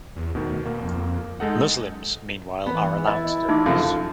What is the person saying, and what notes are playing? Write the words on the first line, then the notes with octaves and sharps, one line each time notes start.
Muslims meanwhile are allowed to divorce.
E2
D2 B2 D#3
B2 A#3
F2
G#3 D#4 A4 F#5
E3 B3
E4 D#5
A1 D#4 D6
F#2 C#3 F3 F4
A4